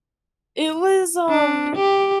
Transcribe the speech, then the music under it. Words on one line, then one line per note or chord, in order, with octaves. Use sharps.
It was, um
D4
G4